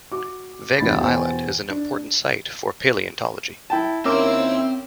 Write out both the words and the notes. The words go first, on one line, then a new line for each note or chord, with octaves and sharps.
Vega Island is an important site for paleontology.
F#4 D6
E1 A1 G2 B5 A6
E2 B2 C5 G5 G#5
D4
E4 G5 A5
D#2 C4 C#4 E4 A#4 C6 D6 E6